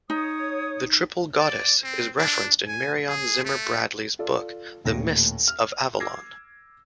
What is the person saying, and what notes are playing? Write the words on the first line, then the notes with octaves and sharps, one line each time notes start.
The triple goddess is referenced in Marion Zimmer Bradley's book The Mists of Avalon.
D#4 C#5 D#6
D5
C4
D4
G#5
G#4
A3
F4 A4 D5
D#1 D#2 A2 A#6
F6
D6 E6 G#6 A#6 C7